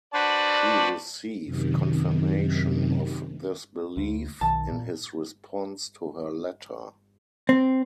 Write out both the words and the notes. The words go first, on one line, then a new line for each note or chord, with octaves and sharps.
She received confirmation of this belief in his response to her letter.
F#4 B4 C5 D5 A5
F#2 C3 D#3
D2
B1 D#3 A5
A#2
C4